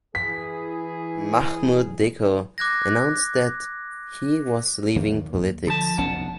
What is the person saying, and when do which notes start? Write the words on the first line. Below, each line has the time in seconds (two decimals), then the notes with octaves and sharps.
Mahmoud Dicko announced that he was leaving politics.
0.15 E3 G#4 B6
2.58 D6 F#6 G#6 A#6
4.96 D#2 D#3 A#3
5.67 D3 F3 A5
5.98 F1 B1 C#4 F#5 A5